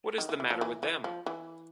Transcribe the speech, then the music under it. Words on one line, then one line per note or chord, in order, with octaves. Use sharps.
What is the matter with them?
D#3
E3
E3
F3
E3
E3
F3
E3